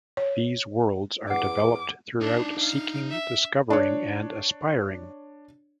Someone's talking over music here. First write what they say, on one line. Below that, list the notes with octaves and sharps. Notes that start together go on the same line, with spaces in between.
These worlds are developed through seeking, discovering and aspiring.
C#5
E2 F#5 D6
D4 D#4 D5
F5
E5
D4 C#5